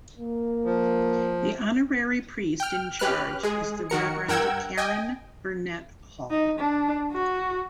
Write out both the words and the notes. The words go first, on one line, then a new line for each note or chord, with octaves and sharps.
The honorary priest in charge is the Reverend Karen Burnett-Hall.
A#3
F3
G5 F6
C#4 G4 B4 F6 F#6
G#3 G#4
D#3 F#4 A#4 C#7
G2 A#4 F#5 G5 E6 G#6
D#5 G5 G#5
D#4
D4
F#4